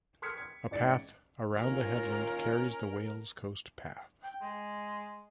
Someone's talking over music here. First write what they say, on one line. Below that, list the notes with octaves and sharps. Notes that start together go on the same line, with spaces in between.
A path around the headland carries the Wales Coast Path.
C6 D#6 F6 G#6 B6 C#7
G#6
A1 G#2 D5 A6 C#7 D7
D#2 C#4 F4 A#4 A#5
G5
G#3